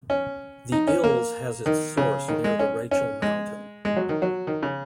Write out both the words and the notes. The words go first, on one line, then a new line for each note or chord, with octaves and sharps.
The Ilz has its source near the Rachel mountain.
C#4
D#4
C#4
A#3
D#3
C#3
D#3
G#3
C#4
C#4
G#3
G#3
F#3
D#3
F#3
D#3
C#3